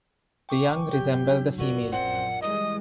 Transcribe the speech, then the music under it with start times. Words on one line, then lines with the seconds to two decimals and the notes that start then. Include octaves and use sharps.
The young resemble the female.
0.49 G5 C#6 D6
0.92 G2 F#3 G4
1.26 D4
1.59 F4 F#4 A#4 D5
1.92 A#1 F#2 C4 F#5
2.42 E3 G3 G#3 D#5 D#6